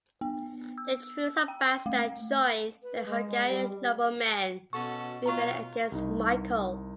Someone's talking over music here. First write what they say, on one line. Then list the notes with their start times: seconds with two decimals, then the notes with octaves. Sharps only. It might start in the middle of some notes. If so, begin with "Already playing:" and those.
The troops of Basta joined the Hungarian noblemen rebelling against Michael.
0.21 B3
0.78 E6
1.48 G5
1.86 A3
2.83 B4
3.06 G#3
3.28 G#3
3.48 G3
4.73 B2 C#4 F#4 A4 C#6
5.26 B2 F#3 F4 A#5 C#6
5.92 C2 D#4